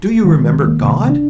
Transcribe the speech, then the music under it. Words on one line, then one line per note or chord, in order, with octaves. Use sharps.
Do you remember God?
D#3 G#3
C2
A#3
C3
D4